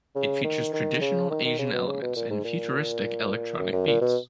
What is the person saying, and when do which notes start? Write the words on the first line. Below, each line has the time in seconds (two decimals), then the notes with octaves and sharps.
It features traditional Asian elements and futuristic electronic beats.
0.15 C#3
0.44 D#3
0.73 D#3
1.01 C#3
1.30 D#3
1.44 D#3
1.58 C#3
1.73 B2
1.87 C#3
2.02 B2
2.16 A#2
2.30 G#2
2.44 A#2
3.59 F#2
3.73 F#2
3.87 A#2
4.01 B2